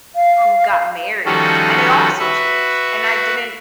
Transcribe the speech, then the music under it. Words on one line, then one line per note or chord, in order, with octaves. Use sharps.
who got married, and it also changed, and I didn't
F5
D#3 F3 G3 C#4 F#4 A4
F#4 B4 E5